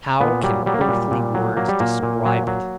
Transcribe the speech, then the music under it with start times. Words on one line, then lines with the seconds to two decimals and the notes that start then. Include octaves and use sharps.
How can earthly words describe it!
0.20 A#2 B3
0.43 F#3 G3
0.66 F#3 G3
0.74 A#3
0.81 G3
0.88 A#2
1.11 A#2
1.34 F#3
1.57 F#3 A#3
1.69 G3
1.80 A#2 A#3
2.03 A#2
2.26 F#3
2.47 F#3